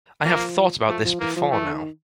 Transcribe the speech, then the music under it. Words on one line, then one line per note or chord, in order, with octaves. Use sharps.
I have thought about this before now.
F3 A#3
F3 A3
F3
E3 A#3
F3
E3 A3
D3
D#3